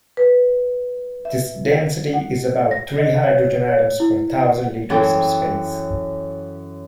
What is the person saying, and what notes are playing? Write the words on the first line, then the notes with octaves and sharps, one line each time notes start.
This density is about three hydrogen atoms per thousand liters of space.
B4
E5
F#5
A#6
D#5
C#5
C#5
E4
F#5
F#2 E3 G#4 A4 G5